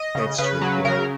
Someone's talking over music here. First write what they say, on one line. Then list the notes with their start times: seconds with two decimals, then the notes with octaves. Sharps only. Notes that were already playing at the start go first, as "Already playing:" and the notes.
That's true, yeah.
Already playing: D#5
0.15 C#3
0.38 C#3 B4
0.61 F#3
0.85 C#3 A#4